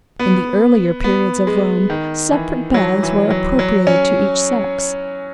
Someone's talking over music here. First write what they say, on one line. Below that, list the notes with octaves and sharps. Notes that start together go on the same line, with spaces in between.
In the earlier periods of Rome, separate baths were appropriated to each sex.
B3
B3
G#3
D#3
E3
F#3
E3
F#3
F#3
C#4